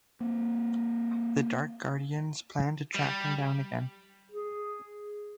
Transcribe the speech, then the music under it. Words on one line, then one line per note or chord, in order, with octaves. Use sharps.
The Dark Guardians plan to track him down again.
A#3 C4
G3
G#4